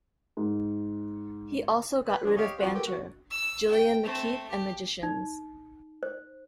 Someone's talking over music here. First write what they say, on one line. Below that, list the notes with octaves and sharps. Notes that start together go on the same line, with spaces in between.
He also got rid of banter, Gillian McKeith and magicians.
G#2
B4
C3 F3 D4 G#4
G4 C#5 D#5 F5
F3 C4 F#4
A#3 G4 A4 B4
F#4
E6
G5
A3 C4
G4
D#4
C5